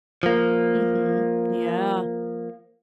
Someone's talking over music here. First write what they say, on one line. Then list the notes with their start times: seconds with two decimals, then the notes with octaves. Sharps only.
Mhm. Yeah.
0.23 F3 A#3